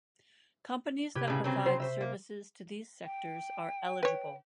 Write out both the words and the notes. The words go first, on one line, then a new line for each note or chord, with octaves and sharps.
Companies that provide services to these sectors are eligible.
C3 G4 B4 B5 G#6
A2 C#3
C#3 F#3 C4
C5
C5 E5
A#3
G5
B4 C#5